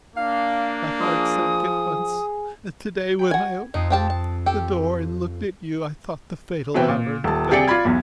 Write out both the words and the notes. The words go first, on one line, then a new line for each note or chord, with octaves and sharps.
My heart sank at once, and to-day when I opened the door and looked at you, I thought the fatal hour had come.
A#3 D4 F5
F3 G#4 D#6
G5 B5
F#4 G#5 G#6
F2 C4 D#4 D#6
F3 G4 A5
A5
G4 A4
B2 E3 C4 B4 G5
A#2
D#1 A5
C3 G4 G#4 D5 G5 C#7
F4 D5 B5 G#6
B1 E2